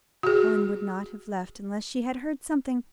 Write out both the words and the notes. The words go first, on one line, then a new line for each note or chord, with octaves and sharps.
Helen would not have left unless she had heard something.
F#4 G#4